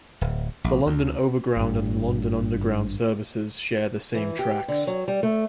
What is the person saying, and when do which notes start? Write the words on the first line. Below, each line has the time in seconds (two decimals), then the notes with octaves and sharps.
The London Overground and London Underground services share the same tracks.
0.21 D1
0.64 A#1
0.87 D2
1.57 G#1 G2
4.15 E3
4.39 G4
4.68 D3
4.87 F#3
5.08 G3
5.23 A3